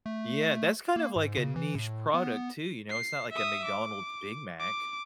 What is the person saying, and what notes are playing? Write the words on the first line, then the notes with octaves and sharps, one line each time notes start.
yeah, that's kind of like a niche product too, you know? It's not like a McDonald’s Big Mac.
A3
A#3
G#2
C#3
E3
A2
B3
C7
E5 D#6
D6
D6